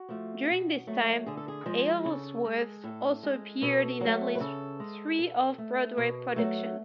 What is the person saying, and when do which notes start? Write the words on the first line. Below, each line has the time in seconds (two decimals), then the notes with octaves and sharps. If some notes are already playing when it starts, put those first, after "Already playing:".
During this time Aylesworth also appeared in at least three Off Broadway productions.
Already playing: F#4
0.09 F3 A3
0.49 B2
0.87 F#3 A3
1.26 D3 G#4
1.37 A4
1.48 G#4
1.66 F3 G#3
2.05 C#3 A4
2.45 G#3
2.84 A2 A4
3.23 G#3
3.62 B2 A4
4.01 F#3 A3
4.35 B4
4.40 C#3 A4
4.80 G#3
5.18 B2 A4
5.58 A3
5.97 B2
6.36 F#3 A3